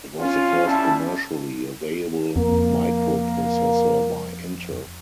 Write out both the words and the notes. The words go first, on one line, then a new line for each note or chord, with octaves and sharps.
It was the first commercially available microprocessor by Intel.
C#4 F4
G3 E4 A5
F2 A#3